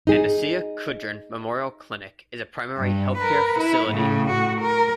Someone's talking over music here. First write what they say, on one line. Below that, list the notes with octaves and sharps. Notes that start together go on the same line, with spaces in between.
Anesia Kudrin Memorial Clinic is a Primary Health Care facility.
D#4 G#4
G2
A#4 B4
E4
A2 C#3
A2 F#4
A#4